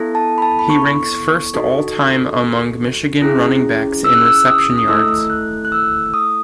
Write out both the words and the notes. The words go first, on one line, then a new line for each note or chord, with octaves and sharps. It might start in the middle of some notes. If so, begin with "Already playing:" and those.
He ranks first all-time among Michigan running backs in reception yards.
Already playing: B3 E4 A4
A5
B5
A5
B5
C#6
D#4 F#4 A4
C#4 E4 G#4
E6
F#6
E6
D#6
D#6
A3 E4 A4 E6
F#6
F#6
E6
D#6